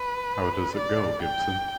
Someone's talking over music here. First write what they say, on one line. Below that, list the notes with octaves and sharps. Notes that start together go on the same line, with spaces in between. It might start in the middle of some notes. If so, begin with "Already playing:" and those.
How does it go, Gibson?
Already playing: B4
D5
G5